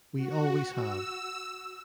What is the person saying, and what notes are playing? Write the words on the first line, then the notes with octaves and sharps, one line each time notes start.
We always have.
F#4
E6